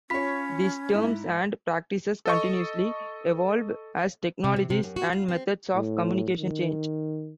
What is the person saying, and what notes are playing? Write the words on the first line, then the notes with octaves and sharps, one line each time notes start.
These terms and practices continuously evolve as technologies and methods of communication change.
C#4 F4 C#5 B5 B6
G#2 E4
A4 D#5 C#6
C3
C3
C3
F#2
F#4
F4
C4
A2
D#3